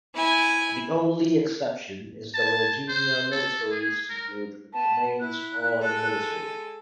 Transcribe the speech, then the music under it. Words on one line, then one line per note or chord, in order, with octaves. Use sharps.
The only exception is the Virginia Military Institute, which remains all-military.
E4 G#5
A5
C5
A4
G#4
A#4
B3 A5
E4 F#6
G#3 A4